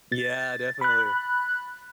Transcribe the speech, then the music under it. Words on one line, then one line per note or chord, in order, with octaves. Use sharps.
Yeah, definitely.
A6
B5 F#6